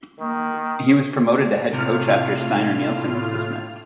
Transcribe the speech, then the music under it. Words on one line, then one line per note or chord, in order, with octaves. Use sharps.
He was promoted to head coach after Steinar Nilsen was dismissed.
D#3 A#3
A2 C3 F4 F6